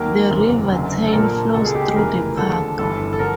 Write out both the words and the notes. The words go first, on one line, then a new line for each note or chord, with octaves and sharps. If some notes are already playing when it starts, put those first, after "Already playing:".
The River Tyne flows through the park.
Already playing: D#2 D#3 F#3 A#3 A#4
F#1 E2 C3
F#1 F#2 D3
A4
A#1 A#2 F3 A#3 A#4
C#2 B2 G#3 A4
G#4
G4
G#4
F1 E2 C#3 E3 A#4
D#2 D3 F3 G#3 A4
G1 G2 E3 A4
A4
D3 F3 A#4